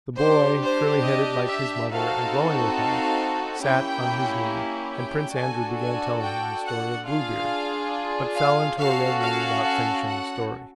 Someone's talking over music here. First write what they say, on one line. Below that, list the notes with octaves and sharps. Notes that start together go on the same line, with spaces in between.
The boy, curly- headed like his mother and glowing with health, sat on his knee, and Prince Andrew began telling him the story of Bluebeard, but fell into a reverie without finishing the story.
D4 G4 C5
C5
D#5
E5
C4 D#4 F#4 A4 F5
F5
A#3 C#4 E4 G4 G5
G5
D4 F#4 A4 G#5
G#5
G5
F#5
D4 F4 G#4 F5
F5
C#4 F#4 A4 F5
F5
F5
F#5